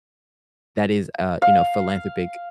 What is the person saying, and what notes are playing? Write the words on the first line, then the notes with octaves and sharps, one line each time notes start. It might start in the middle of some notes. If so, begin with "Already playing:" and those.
that is, uh, you know, philanthropic,
F5